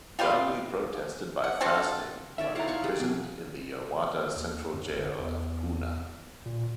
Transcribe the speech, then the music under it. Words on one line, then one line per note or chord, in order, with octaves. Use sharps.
Gandhi protested by fasting while imprisoned in the Yerwada Central Jail of Poona.
F4 G4 B4 F5
F#5
C4 D4 F#4 A4
D#3 C#5 D5 E5
E4 F4 C#5 F5 F#5 A#5
F5 C#6
G4 G#4 D5
B2
D#2
F#2
G1
E2
A#2